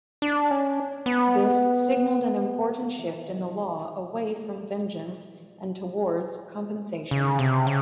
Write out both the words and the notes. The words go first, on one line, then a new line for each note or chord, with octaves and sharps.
This signaled an important shift in the law away from vengeance and towards compensation.
D4
C#4
B3
A#3
E3
D#3
D3
C#3
C3
C#3